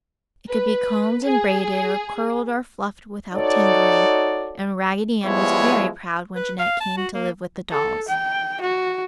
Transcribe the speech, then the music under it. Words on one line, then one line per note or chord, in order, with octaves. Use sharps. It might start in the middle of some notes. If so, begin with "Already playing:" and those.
It could be combed and braided, or curled or fluffed without tangling, and Raggedy Ann was very proud when Jeanette came to live with the dolls.
B4
G#4
D#4 F#4 A4 C#5 D5
F3 G3 G#3 B3 E4 C#5
B4
F5
A5
F#4
A#3
A4
G5
F#4